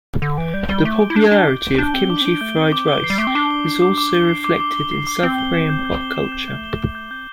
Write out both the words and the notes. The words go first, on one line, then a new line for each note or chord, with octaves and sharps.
The popularity of kimchi fried rice is also reflected in South Korean pop culture.
D3 D6
E3 D7
G3 G6
G3 G7
A3 D6
D7
E4
D4 G6
D4 G7
D6
D7
D4 G6
C4 G7
D4 D6
C4
D4 D7
A3 G6
C4 G7
D6
G7
E3 C7
G3
A3 D6
C4
D4 D6
G7
C7
D6
D6
G7
C7
D6
D6
G7
C7
D6
C4 G6
G7
E7
G6
G6
G7
E7
G6
A3 G6
G7
E7
G6
C4 G6